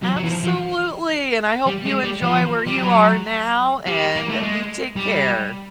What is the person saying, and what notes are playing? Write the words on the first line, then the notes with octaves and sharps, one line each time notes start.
Absolutely, and I hope you enjoy where you are now, and you take care.
F#3
F#3
E3
F3
F3
G3
G#3
G3
F3
G3
F#3
G3
A#3
A3
G#3
G3